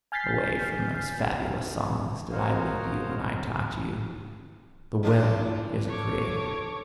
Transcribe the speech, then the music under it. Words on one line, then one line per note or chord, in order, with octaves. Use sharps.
Away from those fabulous songs did I lead you when I taught you: "The Will is a creator."
G#5 F6 G6 A6 B6 C7
F#4 A#4 C5 C#5 D#5 F5
F3 D4 F4 G#4
C#4 E4
A4 C#5 D6